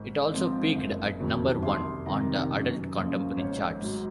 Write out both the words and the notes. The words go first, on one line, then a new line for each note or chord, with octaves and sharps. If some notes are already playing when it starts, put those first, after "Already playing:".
It also peaked at number one on the Adult Contemporary charts.
Already playing: G#1
G#2 F3 C4
F#1
F2 D#3 F#3
C2 C6
C3 D#3 A#5
F#2
C#3 F3 A#3
G#1 C#5
G#2 F#3